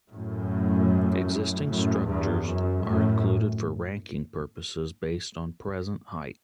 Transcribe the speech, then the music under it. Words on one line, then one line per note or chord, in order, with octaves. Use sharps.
Existing structures are included for ranking purposes based on present height.
F#2 A2
F#2 A2
E2 G2
F#2
F#2 A2